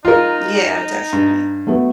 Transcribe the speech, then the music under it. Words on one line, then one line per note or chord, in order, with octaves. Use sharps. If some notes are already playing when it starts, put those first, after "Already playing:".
Yeah, definitely.
D#4 F4 A#4
G2
F#3 A3 B3